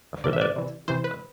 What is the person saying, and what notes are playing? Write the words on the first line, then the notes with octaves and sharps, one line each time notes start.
I've heard that a few times as well.
C3 E3 D5
E5
D5
C3 E3
C3 E3 C5
B4